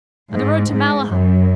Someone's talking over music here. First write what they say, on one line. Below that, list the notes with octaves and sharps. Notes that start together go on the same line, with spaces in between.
On the road to Malahide.
G#2
G#2
F#2